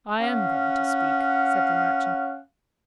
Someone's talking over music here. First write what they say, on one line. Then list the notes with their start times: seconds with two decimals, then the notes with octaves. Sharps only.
"I am going to speak," said the merchant.
0.21 C#4 F5 F#5